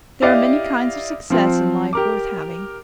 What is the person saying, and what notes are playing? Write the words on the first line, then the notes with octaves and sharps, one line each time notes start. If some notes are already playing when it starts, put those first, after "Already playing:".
There are many kinds of success in life worth having.
E4 G4 D5 D#5 F5
F3 C4 F4
G4 A#4 D6